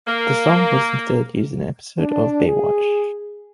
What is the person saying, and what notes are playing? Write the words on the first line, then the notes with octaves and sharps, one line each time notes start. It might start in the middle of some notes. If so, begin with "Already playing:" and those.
The song was instead used in an episode of "Baywatch".
A#3
D4
G#4